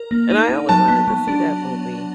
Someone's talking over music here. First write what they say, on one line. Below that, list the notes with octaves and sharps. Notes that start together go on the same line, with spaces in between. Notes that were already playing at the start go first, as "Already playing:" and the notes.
and I always wanted to see that movie.
Already playing: A#4
A#3
D#4
D#4
F#3 A5
B3
F#3
D4